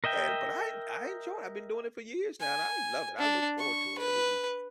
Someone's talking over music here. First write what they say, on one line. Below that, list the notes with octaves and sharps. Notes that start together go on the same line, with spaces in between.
And but I I enjoy it, I've been doing it for years now, and I love it I look forward to it every weekend,
A#4 D#5 E5 G5
G#5
D4
C#6
B4